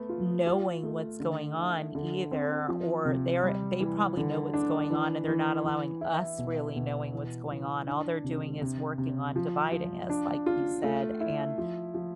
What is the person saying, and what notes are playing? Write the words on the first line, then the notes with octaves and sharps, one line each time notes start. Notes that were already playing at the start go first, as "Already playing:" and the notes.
knowing what's going on either, or they're they probably know what's going on, and they're not allowing us really knowing what's going on. All they're doing is working on dividing us, like you said, and
Already playing: A3 B3
F4
F4
A3
D3
E4
D3
C4
F3
C3
G3
E3
D3
D4
E3
E3
E3
E4
B2
B2
E3
E3
D4
C3
C3
C3
F3
F3
D4
F4
A3
E4
F3
F3